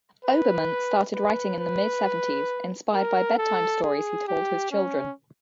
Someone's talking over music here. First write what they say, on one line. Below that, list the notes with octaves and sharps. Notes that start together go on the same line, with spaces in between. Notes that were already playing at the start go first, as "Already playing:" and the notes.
Oberman started writing in the mid-seventies, inspired by bedtime stories he told his children.
B4
B4
B4
A#4
A4
G#4
G4
C#4